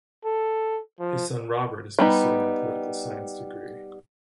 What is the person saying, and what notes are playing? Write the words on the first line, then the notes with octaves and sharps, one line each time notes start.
His son, Robert, is pursuing a political science degree.
A4
F3
G3 B3 D#4